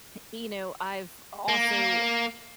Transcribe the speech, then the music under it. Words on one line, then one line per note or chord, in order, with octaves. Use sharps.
eh you know, I've also
A#3